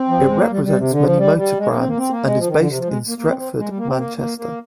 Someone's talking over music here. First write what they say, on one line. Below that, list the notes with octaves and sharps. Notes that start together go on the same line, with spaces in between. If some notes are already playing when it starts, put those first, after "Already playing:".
It represents many motor brands and is based in Stretford, Manchester.
Already playing: C4
F3
G3
G#3
A#3
G3
G3
C3
D3
F3
G3
G3
G#3
A#3
C4
A#3
C4
A#3
G#3
F3
D#3
D3
C3
F3
G#3
A#3
A#3
C4
C4
G#3
G3
A#3
C4
A#3
A#3
A#3